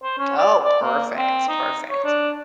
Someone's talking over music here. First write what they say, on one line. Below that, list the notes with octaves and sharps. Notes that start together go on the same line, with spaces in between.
Oh, perfect, perfect.
C5
C#4
D5
D5
A#3
C4
D#4
C#5
D4